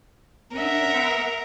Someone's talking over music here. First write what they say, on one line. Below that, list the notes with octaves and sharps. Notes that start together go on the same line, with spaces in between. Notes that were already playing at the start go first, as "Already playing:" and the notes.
maybe about
A#4 E5 F#5